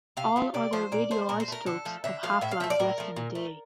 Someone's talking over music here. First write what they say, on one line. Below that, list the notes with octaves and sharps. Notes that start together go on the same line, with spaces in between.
All other radioisotopes have half-lives less than a day.
C3 F5
F3 A3
C3 D5
F3 A3 C5
A#2 D5
A3 C5
A#2 A#4
C5
A3 A#4
D3 A4
F3 A3
D3 E5
F3 A3 F5
A2 E5
F5
F3 A3 E5
D5
A2 A#4
F3 A3
A#2
A3